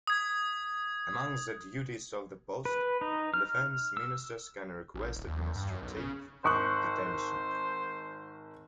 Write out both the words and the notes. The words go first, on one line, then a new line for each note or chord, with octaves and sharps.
Amongst the duties of the post, Defense Ministers can request administrative detention.
D#6 G#6
B4
D#4
F6
E6
A1
D1
D#2
E2
G2
F#2
B1
C#3
G#1 C5 C#6 F#6